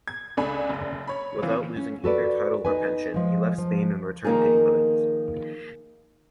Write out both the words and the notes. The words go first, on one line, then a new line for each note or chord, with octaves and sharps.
Without losing either title or pension, he left Spain and returned to England.
G#6
C#2 A3 D4 G#5 B5
F#1
C#5 B5
E3 C4 F4
C#4
F#4 A4 B4 D5
D#4 B4 G#5
F3 G#3
F3
D#3 F3 A#3 D#4 G#4